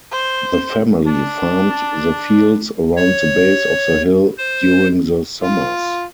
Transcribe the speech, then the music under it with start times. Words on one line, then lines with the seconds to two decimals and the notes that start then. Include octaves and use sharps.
The family farmed the fields around the base of the hill during the summers.
0.12 C5
1.07 D4 A5
2.97 C#5
4.38 C5
5.42 F4